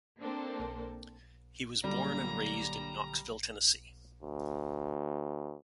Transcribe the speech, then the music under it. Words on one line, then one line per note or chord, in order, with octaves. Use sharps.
He was born and raised in Knoxville, Tennessee.
A#3 C4 D4 A4 A#4 C5
A#2 D3 F#3 G3 A#3 A#5
D2